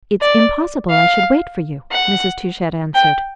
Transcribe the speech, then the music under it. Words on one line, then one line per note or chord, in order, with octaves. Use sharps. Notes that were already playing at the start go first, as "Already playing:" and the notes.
"It's impossible I should wait for you," Mrs. Touchett answered.
D5
F5
F#5
G5